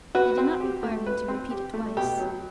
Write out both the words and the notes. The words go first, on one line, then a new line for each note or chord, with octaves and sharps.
They did not require him to repeat it twice.
F#4 B4
C4
G4
A3
B4
C4
G4
A3
B2 G4
F#3